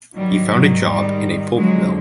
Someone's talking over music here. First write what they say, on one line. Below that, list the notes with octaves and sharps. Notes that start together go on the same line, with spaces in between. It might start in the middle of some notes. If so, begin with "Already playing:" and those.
He found a job in a pulp mill.
G#2 D#3 F#3 G3
F#3
G3
F2 D3 F3 F#3 G#3